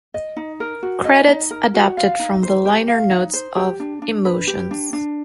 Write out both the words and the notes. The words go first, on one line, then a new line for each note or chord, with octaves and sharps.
Credits adapted from the liner notes of "Emotions".
D#5
D#4
A#4
F#4
D#5
D#4
A#4
F#4
F5
D#4
C5
G4
F5
D#4
C5
G4
D4
D4
B4
G4
D4
D4